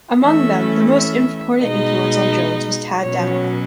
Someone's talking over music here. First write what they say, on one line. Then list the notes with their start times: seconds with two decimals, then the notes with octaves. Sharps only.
Among them, the most important influence on Jones was Tadd Dameron.
0.22 E3 A3 C#4 E5
0.93 E5
1.63 B2 G#3 D#4 D#5
3.04 B2 F#3 C#4 C#5